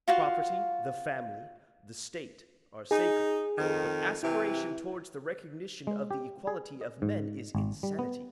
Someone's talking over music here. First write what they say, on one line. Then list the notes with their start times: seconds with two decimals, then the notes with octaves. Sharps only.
Property, the family, the state, are sacred; but aspiration toward the recognition of the equality of men is insanity.
0.08 F4 F#4 F5
2.91 D#4 G#4
3.58 F2 D#3
4.23 C3 E3 E4 G4
5.87 G#3
6.11 G4
6.47 G#4
6.81 D#5
7.02 G#2
7.55 G#1
7.83 G3
7.99 B3